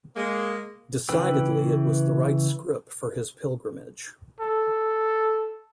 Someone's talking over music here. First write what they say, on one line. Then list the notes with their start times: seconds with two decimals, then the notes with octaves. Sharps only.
Decidedly it was the right scrip for his pilgrimage.
0.16 G#3 A#3
1.09 C#3 E3 B4 G5 E6
4.41 A4